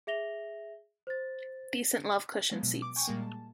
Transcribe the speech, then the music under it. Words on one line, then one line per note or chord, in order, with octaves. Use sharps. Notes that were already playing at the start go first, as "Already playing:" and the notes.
Decent love cushion seats.
G#4 E5 A#6 F7 G7
C5 A6
F3 F#3 G#3 B3
B2
D6
G5 G#5 C#6
A#2 G3 G#3 A#3
A5